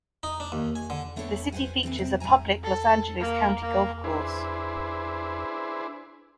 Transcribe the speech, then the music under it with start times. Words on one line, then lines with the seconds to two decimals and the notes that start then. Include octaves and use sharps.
The city features a public Los Angeles County golf course.
0.23 D#4
0.40 D4
0.52 D#2
0.76 G#5
0.90 D3
1.16 A3 B3 D4 A4 C#5 F#5
1.52 B4 C5 F5 F#5 G#5
1.83 D3 E3 C4 B4
1.98 D2 C3 C4
2.20 E2 A2 G3 G#5 A#5
2.64 A4
3.20 A#3
3.62 A#3
4.04 D4 E4 G#4 B4 C5